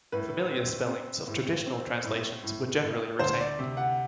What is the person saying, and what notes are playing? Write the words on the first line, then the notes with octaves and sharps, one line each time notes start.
Familiar spellings of traditional translations were generally retained.
A2 B4
C4
C4
A2
C4
A2
A2
A2
D2 C5
D5
C3
F#5